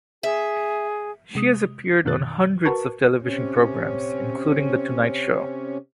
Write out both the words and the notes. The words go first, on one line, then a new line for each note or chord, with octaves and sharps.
She has appeared on hundreds of television programs including The Tonight Show.
G#4 E5
C3 G#3 D#6
F#2 B2 D#3 F#6 A6
F#4 A#4 B4 A5 C#6
C3 C#4